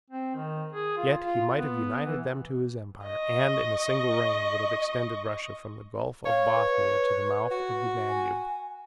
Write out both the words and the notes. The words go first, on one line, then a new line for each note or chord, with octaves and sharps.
Yet he might have united them to his empire and in a single reign would have extended Russia from the Gulf of Bothnia to the mouths of the Danube.
C4
D#3
G#4
F4
F4
B3
E3
D#5 C#6
C#5 F5
B4
F#4
G#5